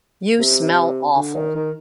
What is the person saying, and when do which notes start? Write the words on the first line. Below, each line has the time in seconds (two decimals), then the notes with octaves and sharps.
You smell awful.
0.39 C3
1.16 D3
1.35 D#3
1.55 D#3